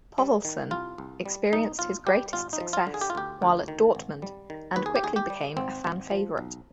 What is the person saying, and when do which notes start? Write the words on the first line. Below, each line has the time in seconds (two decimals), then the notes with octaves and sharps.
Povlsen experienced his greatest success while at Dortmund, and quickly became a fan favourite.
0.18 G3
0.45 D#3
0.71 C2 F4
0.98 C2
1.26 G3
1.53 B1 D#4
1.79 B1 F4
2.07 G3 G4
2.33 G#1 F4
2.53 D#4
2.60 F3
2.73 F4
2.87 D3
2.94 G#4
3.01 G4
3.10 F4
3.15 D2 G4
3.42 D2
3.68 D#3
3.95 G#1
4.22 G3
4.50 D#3
4.76 D#2 B4
4.86 G#4
4.96 G4
5.03 D#2 G#4
5.16 G4
5.30 G3
5.57 G#1 C4
5.84 G#1
6.11 F3
6.38 B1